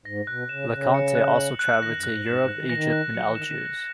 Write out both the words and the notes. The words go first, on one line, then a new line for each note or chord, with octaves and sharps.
LeConte also traveled to Europe, Egypt and Algiers.
G#2 A#6
B2 F#6
C#3 E7
C#3 F#6
C#7
F#6
F#7
F#6
D#3 A#6
F#2
F#6
G#2
G#2 E7
G#2
F#6
D#3
E3
D#3 A#6
F#6
F#3 C#7
E3
D#3 E7
D#3